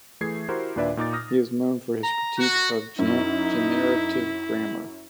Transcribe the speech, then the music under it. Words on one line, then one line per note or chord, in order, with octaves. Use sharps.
He is known for his critique of generative grammar.
E3 A3 G#4 G#6 C7
E4 F#4 G4 A#4 C5
D#2 A#2 D4 B4 D5 E5
A#2 D#4 D6 A6
D#6 F6 A#6
A#5
F#4
F#2 D#4 E4